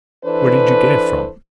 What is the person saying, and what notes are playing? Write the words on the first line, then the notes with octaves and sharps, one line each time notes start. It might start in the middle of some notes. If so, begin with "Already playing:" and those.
Where did you get it from?'
E3 D4 A4 B4 C5